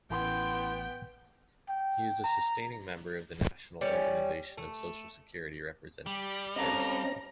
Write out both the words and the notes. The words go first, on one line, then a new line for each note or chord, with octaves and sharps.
He is a sustaining member of the National Organization of Social Security Representatives.
A1 B3 C#4 E4 G5 C6
G5
A#5
G3 C#4
A3
G3 G4
C4 C#4 D#5 F5 A5 A#5